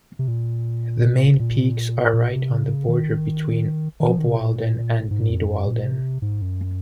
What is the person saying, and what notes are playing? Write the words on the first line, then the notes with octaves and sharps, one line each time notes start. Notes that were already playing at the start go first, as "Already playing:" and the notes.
The main peaks are right on the border between Obwalden and Nidwalden.
C3
A#2
A#2
A#2
C3
C#3
D#3
D#3
F3
D#3
C3
A#2
G#2
F2
F#2
A#2
C3
G#2
F#2